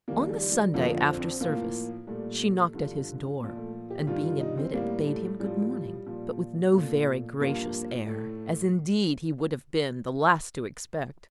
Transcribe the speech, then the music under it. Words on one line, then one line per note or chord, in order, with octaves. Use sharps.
On the Sunday, after service, she knocked at his door, and, being admitted, bade him good morning, but with no very gracious air--as, indeed, he would have been the last to expect.
F2 D#3 G3 A#3
G3
G3
F2 D3 F3 A#3
C4
C4
A2 F3 A#3
A#2 G3 A3
G2 D3 F3
A#2 F3
A3
G4
G2 D#3 G3 F4
F4
D#4
C4
A2 G3 A#3
A3
A2 F3 G3
A#2 F3
A#2 F3 A3
G2 F3 A#3
A2 A3